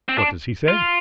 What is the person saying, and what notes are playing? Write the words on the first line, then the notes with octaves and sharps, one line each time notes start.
"What does he say?"
C4
D4
F4